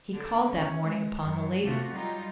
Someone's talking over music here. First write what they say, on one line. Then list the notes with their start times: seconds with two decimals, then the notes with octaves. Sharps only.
He called that morning upon the lady.
0.15 D3
0.49 C#4
0.80 G#3
1.22 F#2
1.64 C3 A3 F4 F#4
1.93 F#3 G3 D#4 F4